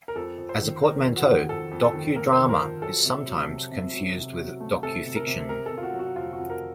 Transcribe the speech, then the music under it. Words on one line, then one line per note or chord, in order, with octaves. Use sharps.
As a portmanteau, "docudrama" is sometimes confused with docufiction.
A#4
F2 A4
F2
C5
D#3
D#3 A#4
F2
F#4
D#3
F2 A4
F2
A4
D#3
A#3 A#4
C5
D#3
A#4
F2
F#3 A4
C3
F#3
C3
C3
F#3
C3
F#3
A3
C3 A4
C3
A#4
C3
C3 A#4
A4
C3
F4
F#4
F#3
F#4
F2 F4
F#4
F2
A#4